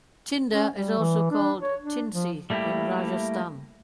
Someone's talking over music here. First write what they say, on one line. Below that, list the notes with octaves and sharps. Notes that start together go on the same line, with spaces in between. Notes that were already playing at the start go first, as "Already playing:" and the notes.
Tinda is also called "tindsi" in Rajasthan.
C#4
G3
E3
D4
C#5
D4
F3
G3 A3 A#3 E4 G4